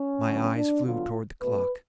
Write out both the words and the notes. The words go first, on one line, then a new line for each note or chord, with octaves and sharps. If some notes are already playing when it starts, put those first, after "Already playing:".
My eyes flew toward the clock.
Already playing: C#4
D3 F#3 B3
D4
D3 F#3 B3 F4
B2 A3 B4